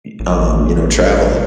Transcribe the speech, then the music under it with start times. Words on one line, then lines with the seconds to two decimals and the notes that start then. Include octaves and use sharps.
y um, you know, traveling.
0.20 A1